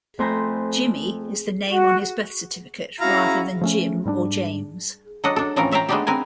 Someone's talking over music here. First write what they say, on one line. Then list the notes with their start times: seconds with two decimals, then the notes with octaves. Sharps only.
"Jimmy" is the name on his birth certificate, rather than "Jim" or "James".
0.19 F2 A3 C5 G#5 A#5 B5
1.68 F#4
3.00 C#4 E4 F#4 F5 A#5
3.61 F3 A3 C#4
4.05 G#2 G3 C#4 D4
5.24 F#3 D4 A4 D#5 F#5
5.36 D4 A4
5.56 A2 E3 F3 C4 C#4 A#4
5.71 C#5 E5 F5 G5 A#5
5.88 G#3 A3 B3 D4 D#4 G4
6.07 C4 A#4 B4 G#5